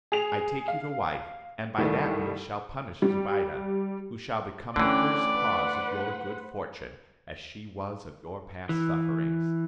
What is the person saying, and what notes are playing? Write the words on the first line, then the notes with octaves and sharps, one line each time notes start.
I take you to wife; and by that means shall punish Zobeide, who shall become the first cause of your good fortune, as she was of your past sufferings.
G#4 F7
F5
C2 D#3 G3 A3
G3
D3 E3 A3 C#4 D5 G5
B4 C5 F#5
E3